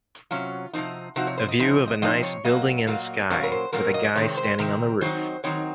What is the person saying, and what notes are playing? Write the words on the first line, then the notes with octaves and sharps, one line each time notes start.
A view of a nice building and sky with a guy standing on the roof.
C3 F#3 C#4 F4
C3 F3 C4 D#4
C3 F3 C4 D#4 F#4
C#5
C5
D#5
C3 F3 C4 D#4 C5
D#5
C3 F3 C4 D#4 D#5
C#5
A#2 F#3 A#3 D#5
A#2 F#3 A#3
A#2 F#3 A#3 C#4 C#5
A#4
C5
A#2 F#3 A#3 C#4 A#4
D#5
C3 D#3 G#3 C4 C#5
C5
C3 D#3 G#3 C4 A#4
D#3 F#3 C4 D#4 C5
D#3 F#3 C4 D#4 C#5